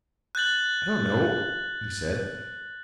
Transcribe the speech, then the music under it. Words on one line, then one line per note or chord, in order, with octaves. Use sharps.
"I don't know," he said.
F#6 G6 A6 F#7